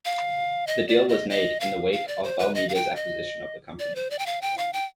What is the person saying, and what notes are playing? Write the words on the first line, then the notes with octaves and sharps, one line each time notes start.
The deal was made in the wake of Bell Media's acquisition of the company.
F5
D#5
D5
D#5
D#5
F5
F5
D5
C5
B4
D#5
F5
G5
D#5
D5
C5
D5
G5
F5
G5
F5
G5